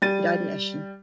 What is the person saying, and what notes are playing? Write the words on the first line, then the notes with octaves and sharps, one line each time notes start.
He died in Eschen.
G3 A6 D#7